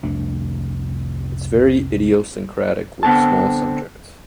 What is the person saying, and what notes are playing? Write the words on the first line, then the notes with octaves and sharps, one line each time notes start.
It's very idiosyncratic, with small subjects.
C2 F2 A3 D4
D3 B3 C4 A5